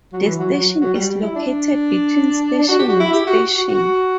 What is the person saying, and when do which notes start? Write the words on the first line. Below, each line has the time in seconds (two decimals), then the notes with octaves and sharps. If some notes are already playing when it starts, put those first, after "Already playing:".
The station is located between station and station.
0.12 F#3
0.26 E3
0.39 F#3
0.53 F#3
0.80 F#3
0.94 G3
1.07 G3
1.22 E4
1.35 D4
2.59 D4
2.68 F#4
2.79 G4
2.89 F#4
3.00 E4
3.13 G4
3.27 F#4
3.54 F#4
3.68 F#4